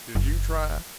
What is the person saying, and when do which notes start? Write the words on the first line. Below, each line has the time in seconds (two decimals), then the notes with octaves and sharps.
Did you try?'
0.15 F#1